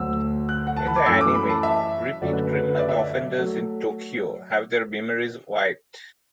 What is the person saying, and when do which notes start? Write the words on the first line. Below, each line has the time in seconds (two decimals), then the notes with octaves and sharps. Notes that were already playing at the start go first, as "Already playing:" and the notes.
In the anime, repeat criminal offenders in Tokyo have their memories wiped.
Already playing: D2 D3 F#3 A3 E6
0.49 F#6
0.67 F#5
0.76 A5
0.87 B5
0.96 D6
1.06 F#2 E3 A3 E6
1.21 D6
1.35 B5
1.49 A5
1.63 E5
2.21 F#2 D3 F#3 A3 D5
2.33 B4
2.55 B4
2.75 E5
2.79 D5
2.89 E5
2.99 D5
3.37 F#3 A3